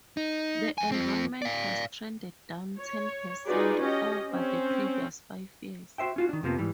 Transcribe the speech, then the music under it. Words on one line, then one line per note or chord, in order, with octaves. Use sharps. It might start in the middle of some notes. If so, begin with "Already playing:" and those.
The enrollment has trended down ten percent over the previous five years.
D#4
F2 G#5
F3 C4
D5 F5
C#5
D#4 F4 F#4 G#4 B4 D5
C#4 G4 D#5
C4 C#4
F#4 C5 E5 G5
C#4 F4 F#4
D#3 D4
F2 C3 F3 A#3 B3
G#2 E3 G3